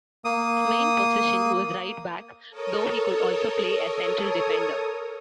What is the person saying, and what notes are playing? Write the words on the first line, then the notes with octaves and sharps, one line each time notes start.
His main position was right-back, though he could also play as central defender.
A#3 D#6
A4 A#4 C#5 D#6